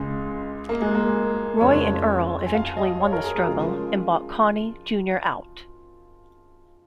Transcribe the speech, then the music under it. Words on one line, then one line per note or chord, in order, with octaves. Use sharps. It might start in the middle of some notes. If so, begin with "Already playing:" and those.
Roy and Earle eventually won the struggle and bought Connie, Junior out.
Already playing: C#2 C#3 G#3
A#3
G#3
A#3
F2 C#3 F3 G#3 C#5
G#5
F5
D#5
C#5
A#4
G#4
G#4
C#3 F3 G#3 F4